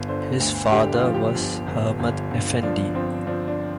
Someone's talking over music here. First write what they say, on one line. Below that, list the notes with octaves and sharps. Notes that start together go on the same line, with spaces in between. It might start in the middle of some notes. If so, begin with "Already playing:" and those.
His father was Ahmed Efendi.
Already playing: G1
D3 C5
D2
D3 G4
F4
F3
G4
G1
G1
G1
G1
F3 D4
F3 C4
F3 D4
D4